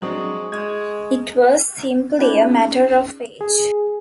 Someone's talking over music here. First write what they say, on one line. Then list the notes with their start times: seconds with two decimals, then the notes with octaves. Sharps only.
It was simply a matter of age.
0.02 F#3 G#3 C4 D4 C#6 D#6 F#7
0.52 G#3 G#6
2.19 C#4 D#4 F4 G#4 C5 D5
3.41 G#4